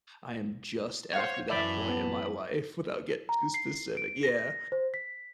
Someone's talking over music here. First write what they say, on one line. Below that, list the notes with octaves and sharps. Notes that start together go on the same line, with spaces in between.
I am just after that point in my life without getting too specific yeah,
C5 C#5 F5 F#5
F#2 E3 D5 E5 A5 B5
B3
A#5
C7
D7
A#6
C5
B6